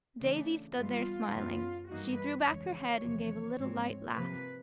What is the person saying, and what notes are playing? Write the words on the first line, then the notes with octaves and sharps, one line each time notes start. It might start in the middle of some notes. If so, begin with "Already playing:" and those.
Daisy stood there smiling; she threw back her head and gave a little, light laugh.
C#3 E3 A3 D4
G2 E3 G3 B3 F4
F#2 C#3 F#3 B3
G2 E3 G3 A#3 D#4 F#4
B4
F2 C#3 E3 G#3 C#5
E2 C3 F3
G#2 F3 G#3 C4
C3 F3 A#3 B4